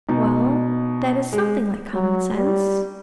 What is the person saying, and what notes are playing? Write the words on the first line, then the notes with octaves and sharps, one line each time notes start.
Well, that is something like common sense.
B2 D#4
G#3
F#3
G3